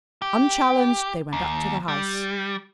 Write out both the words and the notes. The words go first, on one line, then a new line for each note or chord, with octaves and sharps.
Unchallenged they went up to the house.
G4
D#2
G3